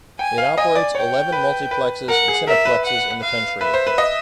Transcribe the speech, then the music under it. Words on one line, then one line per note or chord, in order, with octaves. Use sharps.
It operates eleven multiplexes and cineplexes in the country.
G5 G#5
F5
D#5 G#5
D5
C#5 G5
B4
B4
A#4 F#5
G#4
A#4 E5
B4
F#5
F5
B4 E5
C5
B4
D#5